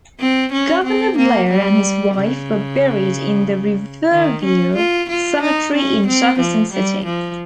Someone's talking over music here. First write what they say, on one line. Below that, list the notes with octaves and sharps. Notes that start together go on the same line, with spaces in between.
Governor Blair and his wife were buried in the Riverview Cemetery in Jefferson City.
C4
C#4
C4
A#3
G3
C#3
D#3
C#4
F4
F4
D#4
C#4
C4
F3
G3
F3